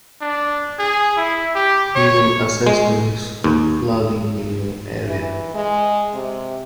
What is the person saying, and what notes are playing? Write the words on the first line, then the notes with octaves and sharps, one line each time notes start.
We will assess the risk of flooding in your area.
D4
G#4
E4
G4
C#5
G#3
D#2
E3
G#3
C3